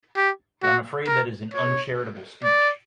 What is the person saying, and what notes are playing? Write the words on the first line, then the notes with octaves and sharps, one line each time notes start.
But I’m afraid that is an uncharitable speech.
G4
F#4
A#4
C#5
D5